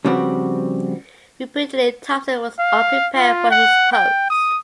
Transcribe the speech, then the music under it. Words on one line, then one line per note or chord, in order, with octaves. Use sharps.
Reputedly Thompson was unprepared for his post.
C#3 F3 G3 B3 C4 F#4
F5
F4
F#5
G5
D#6